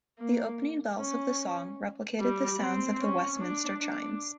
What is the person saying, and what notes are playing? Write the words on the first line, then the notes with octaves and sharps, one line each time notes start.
The opening bells of the song replicated the sound of the Westminster chimes.
A#3
C#4
G3
C4
C#4
D4
D4